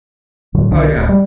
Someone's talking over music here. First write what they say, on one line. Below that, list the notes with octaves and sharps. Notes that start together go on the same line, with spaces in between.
Oh, yeah.
A2 D3 F#3
B1 D3 D#3 D4
D1
G3